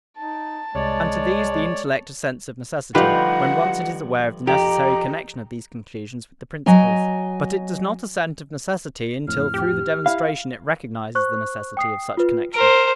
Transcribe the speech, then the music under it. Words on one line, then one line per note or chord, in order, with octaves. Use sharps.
And to these the intellect assents of necessity, when once it is aware of the necessary connection of these conclusions with the principles; but it does not assent of necessity until through the demonstration it recognizes the necessity of such connection.
D#4 A5
C2 G#3 C#5 D5
D2 F3 G3 D#4 F4 G4 B4 F#5
F2 G4 A#5
F#3 D#5 G#5 A#5
F2 A2 F6
G4
E4 F5
C5 C#6 F#6
G5 D#6 C7
F4 B4
A#4 C5 D7